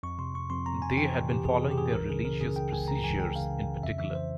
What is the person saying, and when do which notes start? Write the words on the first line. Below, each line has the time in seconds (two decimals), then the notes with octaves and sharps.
They had been following their religious procedures in particular.
0.03 F2 C#6
0.19 C3 C6
0.34 F2 C#6
0.50 F2 C6
0.66 F2 A#5
0.82 F2 G#5
0.97 E3 G5
1.14 C3
1.29 E3 G4
1.45 F2 G#4
1.61 C3 G#4
1.71 G4
1.78 E3 G#4
1.92 C#2 A#4
2.09 C#3 G#4
2.25 C#3 A#4
2.41 C#3 G#4
2.56 C#2 G5
2.72 C#2 G#5
2.88 C#2 A#5
3.04 E3 G#5
3.19 C#2 G5
3.36 C#3 F5
3.52 C#2
3.67 C#3
3.83 F2 E5
3.98 E3 E5
4.15 C5